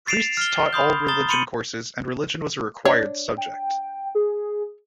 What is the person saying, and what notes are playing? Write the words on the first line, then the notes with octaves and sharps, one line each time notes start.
Priests taught all religion courses, and religion was a required subject.
A6 C7 D7 E7 F7
F6 G7
B5 C6 D#6 G6
A#5 D#6 A6 G7
B5 C6 C#7 D#7 F#7
D4 C#5
G5
G#4